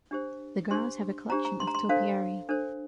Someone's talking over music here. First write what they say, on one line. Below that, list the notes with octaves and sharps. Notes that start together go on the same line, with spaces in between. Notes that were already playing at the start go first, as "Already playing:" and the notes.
The grounds have a collection of topiary.
D4 G4 C5
D4 G4 C5 C6
D4 G4 C5 A#5
A#5
C6
A#5
C6
D4 A4 C5 F5
D4 A4 C5